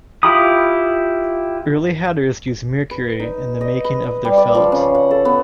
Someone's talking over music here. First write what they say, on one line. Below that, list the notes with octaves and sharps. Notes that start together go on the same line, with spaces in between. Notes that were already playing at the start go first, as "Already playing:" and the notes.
Early hatters used mercury in the making of their felt.
E4 F4 G4 B5 D#6
B4
D#4
D#5
B4
D#5
G3
D5
F3
C#3
F#5
A4
B3